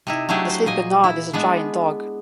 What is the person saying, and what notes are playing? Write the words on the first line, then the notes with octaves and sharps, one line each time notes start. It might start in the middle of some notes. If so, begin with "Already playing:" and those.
The Saint Bernard is a giant dog.
C3 D#4 E4
F#3 A3 D4 E4 G4 G#4
C5
A#2 D#5 G#5
E4
G#3 B3 D4